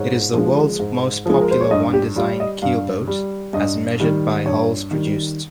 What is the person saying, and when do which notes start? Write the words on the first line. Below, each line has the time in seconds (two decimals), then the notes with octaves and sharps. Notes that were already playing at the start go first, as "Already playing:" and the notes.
It is the world's most popular One-Design keelboat as measured by hulls produced.
Already playing: G#2 C#5
0.34 F3 G#3
0.80 G#2
1.26 F3 G#3 G#4
1.41 A#4
1.51 C5
1.61 C#5
1.71 G2 D#5
1.93 G4
2.16 G3 F4
2.40 D#5
2.62 G2 F5
3.08 G3
3.53 G2 D#5
4.00 D#3 G3
4.46 G2 C#5
4.91 D#3 G3